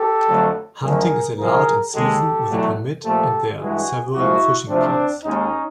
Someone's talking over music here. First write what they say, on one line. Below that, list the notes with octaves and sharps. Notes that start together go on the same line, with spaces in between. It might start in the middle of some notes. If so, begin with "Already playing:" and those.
Hunting is allowed in season with a permit and there are several fishing piers.
Already playing: G4 A4
F2 D3 F#3 A3
F2 D3 F#3 A3 G#4 A#4
C2 C3 F3 G#4 A#4
D#2 D#3 G#3 G4 A4
E2 B2 F#3 A3
A#2 F3 A3 G4 A4
G2 E3 G#3 F#4 G#4
C2 A#2 F3 G#3 E4 F#4
E2 C3 F3 A3 C4 D4
D#2 D#3 G#3 C#4 D#4